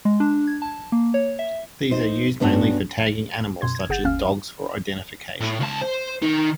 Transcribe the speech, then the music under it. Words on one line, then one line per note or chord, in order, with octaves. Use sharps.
These are used mainly for tagging animals, such as dogs for identification.
G#3
D4
G#6
A5
A#3
C#5
E5
D#4 C5
G2 B3 C#4 D4 F#4
F#2 B2 C6 G#6
G#6
G1 G#4 F#5 G6 A6 E7
G1 D#2 C#4 F5 F6
A2
C#2 A5
C5
D#3 D#4